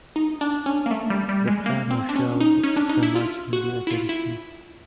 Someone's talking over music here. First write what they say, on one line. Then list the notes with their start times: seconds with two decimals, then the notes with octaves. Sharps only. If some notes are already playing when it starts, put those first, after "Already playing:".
The plan was shelved after much media attention.
0.16 D#4
0.41 D4
0.66 C#4
0.86 A#3
0.91 A3
1.10 G3
1.29 G3
1.47 G#3
1.66 A#3
1.91 C4
2.09 D4
2.16 C#4
2.40 D#4
2.63 C#4
2.77 D4
2.89 D#4
3.03 E4
3.16 F4
3.53 F#4
3.87 E4
3.90 F4
4.09 E4